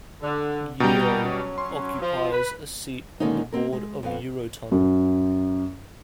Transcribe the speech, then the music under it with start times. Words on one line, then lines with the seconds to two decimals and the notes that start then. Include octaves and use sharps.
Yeo occupies a seat on the board of Eurotunnel.
0.22 D3
0.80 B2 G3 G5 A#5
1.23 F#3 C#4
1.58 C6
2.01 F3
2.32 B4
3.20 D3 D#3 G#3 A#3 C#4 D#4
3.52 A#3 C4 A#4
3.73 G#3
4.03 F2 B3 F5
4.72 F#2